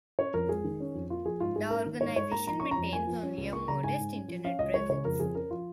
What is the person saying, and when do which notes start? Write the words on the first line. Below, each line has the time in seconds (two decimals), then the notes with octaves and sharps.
The organization maintains only a modest internet presence.
0.19 C#4 C#5
0.34 F2 A#4
0.49 G#3 G#4
0.64 D#3
0.80 C#4
0.95 F2
1.10 A#3 F4
1.25 F3 G#4
1.40 G#2 F4
1.56 G#2 G#4
1.70 C#4 A#4
1.86 D#3
2.01 G#2 C#5
2.16 G#2 C#5
2.32 A#3 A#5
2.47 F3 A#5
2.60 C#4 C#6
2.71 A#5
2.78 F2
2.93 A#3 G#5
3.07 F3
3.23 C#4
3.38 C#2
3.53 A#3 C#6
3.68 C#3 A#5
3.83 G#2 G#5
3.99 G#2
4.14 C#4
4.28 F3
4.44 C#4 F5
4.59 C#2 D#5
4.74 G#3 C#5
4.90 C#3 C#5
5.05 F2 A#4
5.20 F2 G#4
5.34 C#4 A#4
5.51 F3 F4